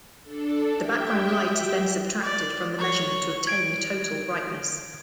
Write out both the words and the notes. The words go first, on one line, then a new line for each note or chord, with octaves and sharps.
The background light is then subtracted from the measurement to obtain the total brightness.
D4 A4
G4 E5 G5
D5
C#5
G#6 D7